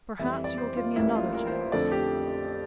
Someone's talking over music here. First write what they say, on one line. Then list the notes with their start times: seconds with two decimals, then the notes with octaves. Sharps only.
"Perhaps you will give me another chance?"
0.19 F2 E3 G3 E5
0.32 E5
0.44 D5
0.58 C5
0.77 F4
0.96 A1 A2 G3 A#3 E4
1.15 F4
1.34 A#4
1.47 C5
1.72 F2 D3 F3 A3 D5
1.92 G4